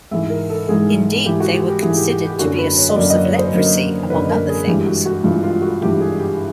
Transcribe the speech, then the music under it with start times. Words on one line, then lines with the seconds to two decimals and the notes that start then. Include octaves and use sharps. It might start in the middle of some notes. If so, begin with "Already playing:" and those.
Indeed, they were considered to be a source of leprosy among other things.
0.11 G#2 E3 G#3 E5
0.30 A#4
0.50 A4
0.69 G#2 E3 G#3 G#4
1.25 G#2 E3 G#3 G4
1.40 F#4
1.54 G4
1.68 G4
1.82 G#2 E3 G#3 G#4
1.96 G4
2.10 G4
2.25 G4
2.39 F#2 D3 F#3 A#3 F#4
2.59 B4
2.78 C#5
2.89 D#5
2.96 F#2 D3 F#3 A#3 D5
3.10 D#5
3.25 C#5
3.39 C5
3.54 F#2 D3 F#3 A#3
4.10 F#2 D3 F#3 A#3 B4
4.30 A#4
4.49 G#4
4.67 G2 E3 G#3 G4
4.87 F#4
5.05 F#4
5.24 G2 E3 G#3 F4
5.44 F4
5.62 F#4
5.81 G2 E3 G#3 G4
6.00 G#4
6.19 G4